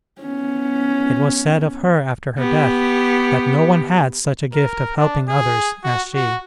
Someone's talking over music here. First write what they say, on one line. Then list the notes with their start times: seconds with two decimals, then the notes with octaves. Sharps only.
It was said of her after her death that no one had such a gift of helping others as she.
0.22 B3 C#4
2.38 B3 G4
4.54 A#4
4.97 D4
5.29 G#4
5.83 F#4
6.14 F#4